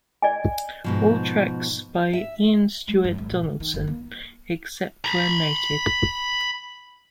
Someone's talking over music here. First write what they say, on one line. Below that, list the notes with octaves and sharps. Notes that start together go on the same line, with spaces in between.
All tracks by Ian Stuart Donaldson, except where noted.
D5 D#5 G#5
G#2 B2 F3
E5
G#3
F#2
G#1
A#2
D#3
D#3
F#1
A#3
A#5 B5